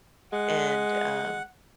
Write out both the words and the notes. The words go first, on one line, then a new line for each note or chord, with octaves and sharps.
and, um,
G#3 F#5